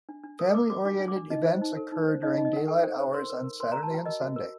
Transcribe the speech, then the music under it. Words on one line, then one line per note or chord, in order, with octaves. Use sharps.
Family-oriented events occur during daylight hours on Saturday and Sunday.
D4
D4
A#4 D#6
A#4 D6
F#4 D6
D4 D6
D4
D6
D4
D#4 D#5
C5
D#4
A4
D#4
C5
D#4 D#5
D#5
D#4
D#5
A4 F#5
A4 G5
C5 G5
C5
A#4 C6
A#4
A#4
A#4 C6
A#4 A#5
A5
F#4 G5
A#4 D#5
F#4
A#4